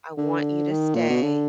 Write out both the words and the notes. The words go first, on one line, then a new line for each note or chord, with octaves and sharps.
I want you to stay.
D3
D#3
A#2
B2
D3